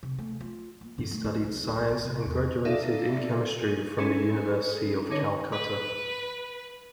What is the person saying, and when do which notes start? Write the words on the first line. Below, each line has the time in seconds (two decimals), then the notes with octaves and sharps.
He studied science and graduated in chemistry from the University of Calcutta.
0.03 C3
0.18 A3
0.41 F4
0.81 A#3
0.98 G2
1.11 A3
1.24 D#4
1.39 C2
1.68 D1
1.88 A#1
2.05 C3
2.26 E2
2.65 D#4 A4 D5 E5 F5
3.61 G#4
3.99 C#4 E4 G#4 A4
5.10 D3 C#4 D#4 C#5 A#6
5.52 B4